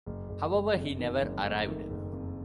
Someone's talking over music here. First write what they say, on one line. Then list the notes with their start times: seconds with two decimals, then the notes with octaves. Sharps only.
However, he never arrived.
0.06 F#1
0.29 F#1
0.53 F#1
0.76 F2
0.99 D#3
1.22 F#1
1.44 A3
1.67 D#3
1.90 F#1
2.12 F2